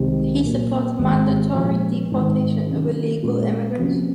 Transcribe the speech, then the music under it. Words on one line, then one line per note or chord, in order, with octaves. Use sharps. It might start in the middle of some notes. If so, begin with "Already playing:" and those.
He supports mandatory deportation of illegal immigrants.
Already playing: C2 C3 D#3 G#3 C4
A#2 F#3 A#3
G#1 G#2 D#3 G#3 C4
A#2 F3 G#3 C#4 F4
G#2 D#3 G#3
C3 D#3 F#3 C#4
A#2 G#3 C#4 F4
C3 F3 A#3 C#4 F#4